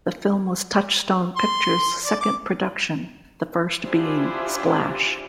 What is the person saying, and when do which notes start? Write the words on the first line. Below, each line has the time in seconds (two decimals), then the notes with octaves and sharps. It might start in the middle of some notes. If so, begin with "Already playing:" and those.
The film was Touchstone Pictures' second production, the first being "Splash".
1.36 C6
2.05 D5
2.21 D6
3.82 D4 E4 F4 G4 G#4 C5